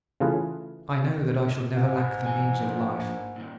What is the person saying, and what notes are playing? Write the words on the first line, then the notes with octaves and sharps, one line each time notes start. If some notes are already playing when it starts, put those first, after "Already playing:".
"I know that I shall never lack the means of life!"
C#3 E3 A3 F4 G#4 B4
G#2
E3 G#5
F3 A#3
A#2 D#3